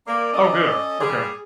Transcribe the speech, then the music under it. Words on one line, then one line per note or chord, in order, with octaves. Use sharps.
Oh, good, okay.
A#3 D5
C#4 A4 D#5
G3 G#4